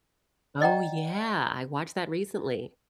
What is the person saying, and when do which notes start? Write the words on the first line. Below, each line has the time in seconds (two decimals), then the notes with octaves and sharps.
Oh yeah, I watched that recently.
0.61 D5 D#5 F#5 G5 A#5